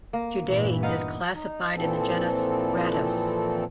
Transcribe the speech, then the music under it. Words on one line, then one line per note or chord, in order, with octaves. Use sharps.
Today it is classified in the genus "Rattus".
A#3
G2 A#2 E3
B3 D#4 F5
D#4
A#2 E3 F3 C4 A4